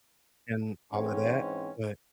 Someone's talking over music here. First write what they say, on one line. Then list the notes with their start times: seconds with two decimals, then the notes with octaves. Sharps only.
and all of that, but
0.92 G#2 E3 G#3 C4 C#4